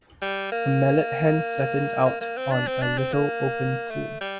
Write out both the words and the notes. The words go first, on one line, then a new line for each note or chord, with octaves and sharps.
A mallard hen flattened out on a little open pool.
G3
A#3
A#3
A#3
C4
D4
C4
D4
C4
A#3
A3
G3